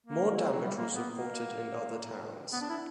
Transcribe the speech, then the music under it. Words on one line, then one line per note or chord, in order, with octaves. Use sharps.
More damage was reported in other towns.
A#3
E3
F#3
G3
A#3
B3
A#3
B3
D4
E4